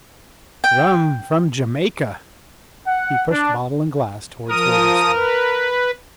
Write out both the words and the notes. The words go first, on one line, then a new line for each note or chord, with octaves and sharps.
"Rum, from Jamaica." He pushed bottle and glass towards Wolverstone.
G5
F#5
D4
F3 A#4 D#6
B4